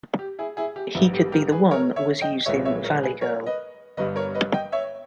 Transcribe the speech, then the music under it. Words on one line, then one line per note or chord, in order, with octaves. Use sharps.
"He Could Be the One" was used in "Valley Girl".
G4
E4 G#4
E4 G#4
G4
A#1 G#2 G3 B3 E4
G4
G4 A#4
G#4 B4
A#4 C#5
C#5 E5
D#5 G5
B1 A#2 G#3 B3 C#5 E5
C#5 E5
A#4 C#5
G#4 B4
A#4 C#5
B4 D#5
G1 G2 G3 B3 B4 D#5
A#4 C#5
B4 D#5
D#5 G5
C#5 E5